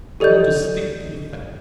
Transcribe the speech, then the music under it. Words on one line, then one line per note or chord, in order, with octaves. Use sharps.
I want to stick to the fact.
G4 A4 D5 D#5 G6